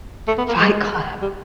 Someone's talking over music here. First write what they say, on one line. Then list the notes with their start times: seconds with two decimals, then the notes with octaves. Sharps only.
Fight Club.
0.28 A3
0.38 B3
0.48 A#3
0.59 G#3
1.22 G3